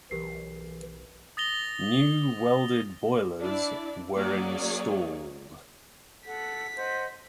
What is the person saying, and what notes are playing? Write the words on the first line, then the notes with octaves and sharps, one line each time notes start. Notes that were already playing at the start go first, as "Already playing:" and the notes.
New welded boilers were installed.
B1 E3 G4 A#4 C7
D#6 A6 A#6 F7 G7
D4 E4 D5
F#3 A#3 C#4 G#4 C#5 D5
A4 F#5 B6
C5 D#5 F#5